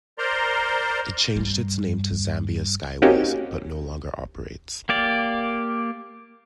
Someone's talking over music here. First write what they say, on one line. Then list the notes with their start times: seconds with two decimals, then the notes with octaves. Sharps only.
It changed its name to Zambia Skyways, but no longer operates.
0.18 A#4 C5 D5 A#5 C6
1.36 G2 G3
3.02 A#3 C4 C#4 D#4 F#4 G4
4.89 A#3 G4 D5